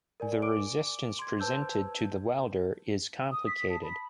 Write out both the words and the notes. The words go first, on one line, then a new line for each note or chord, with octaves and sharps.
The resistance presented to the welder is complicated.
A#4 D5 G#5
D6 D7
C6 G#6
B4 C5 A5 E6 G6
D#6
B6
A5
B5